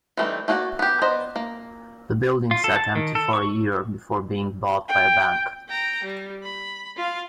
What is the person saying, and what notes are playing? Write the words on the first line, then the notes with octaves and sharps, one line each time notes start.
The building sat empty for a year before being bought by a bank.
E3 G3 A3 C4 D#4
A3 A#3 F#4 G#4 D5
B3 G4
B3 C5 D5 D#5 A#5
A#3
F4
A4
A5
D#3
A4
C#6
G5
G5 A#5
G3
B5
F4 F5